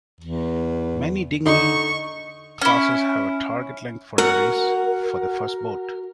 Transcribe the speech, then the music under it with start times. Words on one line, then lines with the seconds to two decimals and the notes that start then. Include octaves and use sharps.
Many dinghy classes have a target length for a race for the first boat.
0.21 E2
1.46 D3 D#4 C#6
2.61 C#4 E4
4.18 F#4 A#4 F#5